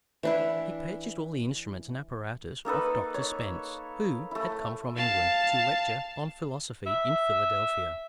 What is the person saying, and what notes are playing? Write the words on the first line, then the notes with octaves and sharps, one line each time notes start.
He purchased all the instruments and apparatus of Dr. Spence, who had come from England to lecture on philosophy in Philadelphia.
E3 D4 E4
A#3 D#4 A4 B4
C#5
A3 E4
F5 A5
E5